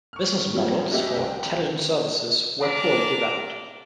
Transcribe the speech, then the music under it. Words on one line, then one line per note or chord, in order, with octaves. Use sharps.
Business models for Telidon services were poorly developed.
C#6 F6
A1 F2 A#2 F3 G3
A3 C#4 F#4 G4 D#5 E5
C2 G5
D4 A#4 D6